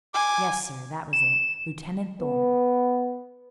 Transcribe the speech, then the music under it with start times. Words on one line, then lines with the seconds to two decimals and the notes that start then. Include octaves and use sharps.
"Yes, sir, that was it--Lieutenant Thorn."
0.14 G#5 D6
1.13 E7
2.21 B3